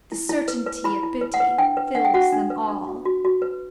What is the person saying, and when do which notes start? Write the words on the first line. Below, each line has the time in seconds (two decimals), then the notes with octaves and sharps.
The certainty of booty fills them all.
0.12 E4
0.29 E4
0.48 B4
0.66 B4
0.84 E4 B5
1.03 E4
1.21 B4
1.34 F#5
1.40 B4
1.58 D4 G5
1.77 B4
1.95 D4 F#5
2.05 G5
2.14 F#4 F#5
2.33 D4
2.50 B4
2.68 D4
2.87 F#4
3.05 F#4
3.25 F#4
3.42 B4